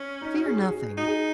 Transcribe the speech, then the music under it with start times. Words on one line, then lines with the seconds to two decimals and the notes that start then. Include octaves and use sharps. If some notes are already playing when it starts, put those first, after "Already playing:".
'Fear nothing.
Already playing: C#4
0.21 D#4
0.34 F#4
0.46 G#4
0.57 F#4
0.69 G#4
0.97 D#4 F#4
1.08 G#4